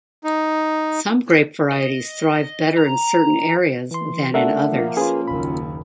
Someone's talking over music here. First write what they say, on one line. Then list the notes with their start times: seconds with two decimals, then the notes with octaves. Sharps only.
Some grape varieties thrive better in certain areas than in others.
0.24 D#4
1.72 D#5
2.77 A#5
3.91 E3 C6
4.34 A3 D4 A#4 E5 F#5
4.66 F3 A#3
4.97 C#4 F4 G#4 B4
5.28 F#1 D#2 D#3 B5